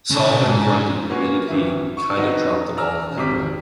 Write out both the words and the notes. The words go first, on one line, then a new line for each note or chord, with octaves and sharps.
Solomon Grundy admitted he "kinda dropped the ball on that one".
C#3 A4
G#2
A#3 B3 C#4 F4 F#4
G#1 E3 E4
C#6
F#3 B3 C4 D#4 F#4
D5 A#5 E6 F6
G#1 C3 D6 B6